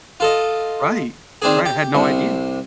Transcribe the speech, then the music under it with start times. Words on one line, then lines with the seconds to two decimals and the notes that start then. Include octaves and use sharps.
Right, right, I had no idea.
0.20 F4 A4 D#5
1.42 D#3 C4 D4 G#4
1.66 G4
1.95 C2 C3